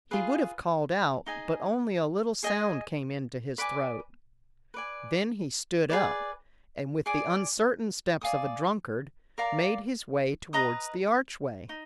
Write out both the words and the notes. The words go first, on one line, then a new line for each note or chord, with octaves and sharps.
He would have called out, but only a little sound came into his throat. Then he stood up, and, with the uncertain steps of a drunkard, made his way towards the archway.
F4 G#4 B4
D#4 G#4 D#5 G#5
G#4 D#5 G#5
B4 D5 G#5 D6
B4 D5 G#5
G#4 B4 D5
G#4 D5 G#5
D5 F5 G#5 D#6
A#4 D5 F5 A#5
B4 D#5 A#5 D#6
D#4